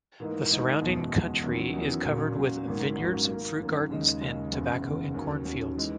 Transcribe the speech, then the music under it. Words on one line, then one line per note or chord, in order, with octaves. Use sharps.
The surrounding country is covered with vineyards, fruit gardens, and tobacco and corn fields.
G#2 E3 A#3 D#4
G#2 E3 A#3 D#4
F#1 E2 B2 G#3
F#1 E2 B2 G#3
E2 D#3 F#3 C#4 E4
E2 D#3 F#3 C#4 E4
A#2 F#3 C#4
A#2 F#3 C#4
G#1 G#2 F#3 A#3 C#4
G#1 G#2 F#3 A#3 C#4
F#2 D#3 A#3
F#2 D#3 A#3
D#2 C#3 G#3 D#4
D#2 C#3 G#3 D#4
F#1 E2 C#3
F#1 E2 C#3
D#2 D#3 F#3 C#4
D#2 D#3 F#3 C#4
E3 G#3 D#4